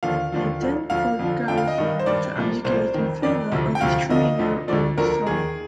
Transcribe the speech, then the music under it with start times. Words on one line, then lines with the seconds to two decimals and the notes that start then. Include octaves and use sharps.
They then forced Gaozong to abdicate in favor of his three year old son.
0.03 D#2 D3 F3 F5
0.32 D#2 D3 F3
0.61 D2 D3 F3
0.90 D2 D3 F3 F5
1.19 F2 D3 F3
1.48 F2 D3 F3 G5
1.58 F5
1.67 D#5
1.78 G2 D#3
1.99 C5
2.06 G2 D#3 D5
2.35 C2 A#2 F3
2.64 C2 A#2 F3 C5
2.94 F2 D#3
3.22 F2 D#3 D5
3.52 D2 C3 F3
3.75 G5
3.81 D2 C3 F3 F5
4.10 D2 D3 F3 D#5
4.39 D2 D3 F3
4.68 D2 D3 F3 D5
4.98 D2 D3 F3 A#4
5.26 D#2 D#3 G#4